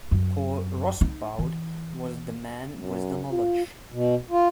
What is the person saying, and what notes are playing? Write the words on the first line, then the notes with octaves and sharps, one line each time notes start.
Paul Rosbaud was the man with the knowledge.
F#2
D#4
E3
F#2
F4
B2
F4